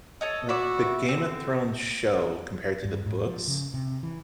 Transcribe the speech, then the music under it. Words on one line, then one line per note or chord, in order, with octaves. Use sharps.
The The Game of Thrones show compared to the books,
A4 C#5 D#5
F#4 D5 E5 B5
D3 C4
G2
G#2
F3
C#3
C3
E3